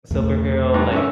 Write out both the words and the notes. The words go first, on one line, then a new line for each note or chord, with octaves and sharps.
superhero, like,
E2 B2 A3
G2 D3
C#4 E5